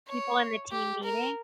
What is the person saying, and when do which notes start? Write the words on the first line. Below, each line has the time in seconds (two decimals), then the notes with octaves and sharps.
people in the team meeting?
0.08 C#5
0.72 G4
1.04 A#4